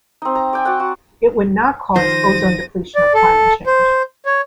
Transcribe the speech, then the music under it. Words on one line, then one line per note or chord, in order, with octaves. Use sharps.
It would not cause ozone depletion or climate change.
C4 D#4
A#5
D5 G5 G#5
F#4 D5 F#5
F#4
D#3 F3 C5 A#6 D#7
D5
A4
C5
C#5